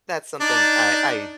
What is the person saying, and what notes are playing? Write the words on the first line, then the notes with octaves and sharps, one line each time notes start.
that's something I I
D4 D#4 D5